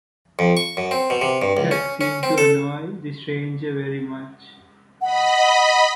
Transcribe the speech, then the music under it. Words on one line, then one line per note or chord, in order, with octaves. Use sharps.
That seemed to annoy the stranger very much.
F2
C#6
F#2
C4
B2
C3
G2
C#2
C#4
C#4
C4
A4
D#5 F#5 B5